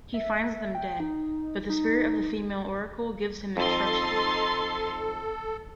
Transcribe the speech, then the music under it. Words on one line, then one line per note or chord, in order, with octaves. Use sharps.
He finds them dead, but the spirit of the female Oracle gives him instruction.
E5
G5
D#4
D#4
F2 D#4 A4 C6 A6